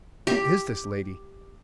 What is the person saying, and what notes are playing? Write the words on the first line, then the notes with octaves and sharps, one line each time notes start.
Who is this lady?
G4